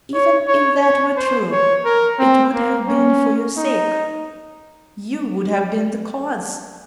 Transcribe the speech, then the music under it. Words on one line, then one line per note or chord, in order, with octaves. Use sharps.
"Even if that were true, it would have been for your sake... you would have been the cause."
C#5
C#5
C#5
C5
C#5
A#4
C4
A#3
C#4
D#4